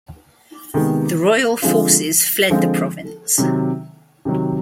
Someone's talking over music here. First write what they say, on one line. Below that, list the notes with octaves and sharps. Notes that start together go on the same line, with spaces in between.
The royal forces fled the province.
C3 D#3 G#3 B3
D3 F3 G#3 C4 F4
D3 F3 G#3 C4 F4
C3 D#3 F#3
C3 D#3 F#3